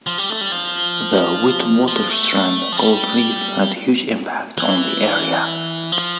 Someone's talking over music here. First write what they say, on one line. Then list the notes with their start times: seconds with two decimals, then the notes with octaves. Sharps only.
The Witwatersrand Gold Reef had a huge impact on the area.
0.07 F3
0.18 G3
0.30 A3
0.41 G3
0.52 F3
1.88 F3
2.10 A3
2.72 F3
2.77 G3
4.58 E3
5.92 F3